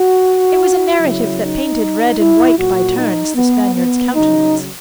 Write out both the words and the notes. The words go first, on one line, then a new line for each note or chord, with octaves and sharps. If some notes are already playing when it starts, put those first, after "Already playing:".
It was a narrative that painted red and white by turns the Spaniard's countenance.
Already playing: F#4
C#3 F#3 E4
D#4
E4
A#2 F#3 F#4
D#4
B3
B3
C#3 F#3 D#4